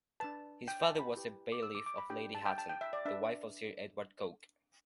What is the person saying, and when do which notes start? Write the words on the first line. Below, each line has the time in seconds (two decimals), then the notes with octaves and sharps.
His father was a bailiff of Lady Hatton, the wife of Sir Edward Coke.
0.20 D4 B4 A5
0.68 G5
0.83 A5
0.99 B5
1.15 E4 G4 B4
1.52 D6
1.63 E6
1.75 D6
1.86 D6
1.98 B5
2.10 D4 G4 B4 G5
2.35 A5
2.46 G5
2.58 A5
2.69 G5
2.81 E5
2.93 D5
3.05 D4 B4 E5